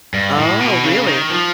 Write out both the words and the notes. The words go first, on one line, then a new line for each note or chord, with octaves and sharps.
Oh, really?
G2
A2
B2
C#3
D#3
F3